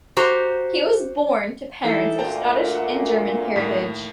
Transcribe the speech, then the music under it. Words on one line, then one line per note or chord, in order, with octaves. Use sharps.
He was born to parents of Scottish and German heritage.
F#4 G4 C5 A#5
E3 D#4 E4 A4
D2 A#2 G5 A5 A#5
F#5
D#2 A2